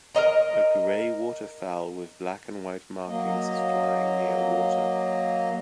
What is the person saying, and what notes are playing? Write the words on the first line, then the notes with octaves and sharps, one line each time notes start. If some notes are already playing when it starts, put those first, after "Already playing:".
A gray water fowl with black and white markings is flying near water.
A#4 C5 D#5 A#5
F#3 A#3 D#5